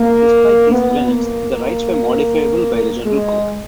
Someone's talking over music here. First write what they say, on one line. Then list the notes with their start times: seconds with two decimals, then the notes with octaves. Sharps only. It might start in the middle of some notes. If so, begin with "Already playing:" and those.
Despite these grants, the rights were modifiable by the General Court.
Already playing: A#3
0.71 B3
1.10 A#3
3.03 G#3